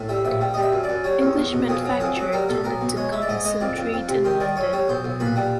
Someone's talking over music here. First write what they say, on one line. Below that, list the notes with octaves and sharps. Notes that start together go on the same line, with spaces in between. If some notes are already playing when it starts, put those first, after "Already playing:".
English manufacture tended to concentrate in London.
Already playing: A2
G3 E5
A#1 E5
G3
G3 D#5
E5
F#2
D5
F#2
G3 C#5
E2
E2
B2
F2 G#4
F#3
F2 G#4
F#3
G3 A#4
B2 A4
B1 A#4
B2
G#3 C#5
G#3 E5
D5
G#2 D#5
G#3 D#5
F2 D5
F2
F2
C3
D#3 C5
D#3 D5
F#2 C#5
G3 C#5
B1 C5
B1
A#2 B4
G3